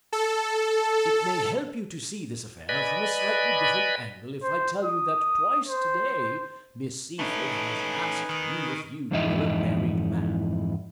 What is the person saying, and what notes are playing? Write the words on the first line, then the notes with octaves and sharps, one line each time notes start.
"It may help you to see this affair from a slightly different angle if I tell you that twice today Miss Seyffert has asked me if you were a married man."
A4
B4 D5 D#5 G#5 B5
C5
D#6
C5
A3 C#4 D#4 B4 G#5
D#3
F2 G#2 E3 D#4 E4 D#5